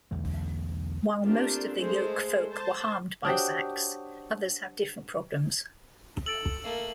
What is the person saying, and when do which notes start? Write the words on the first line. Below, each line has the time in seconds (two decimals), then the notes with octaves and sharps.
While most of the Yolkfolk were harmed by Zaks, others have different problems.
0.11 B1 E2 D3 A3
1.24 A3 A#3 C4 D4 F4 G4
1.76 G#3 A3 A4 C5
2.51 C5 A5
3.25 D4 F#4 G4 C5 C#5 D#6
6.26 A4 E6 A6 D7 F#7
6.63 A3 A#3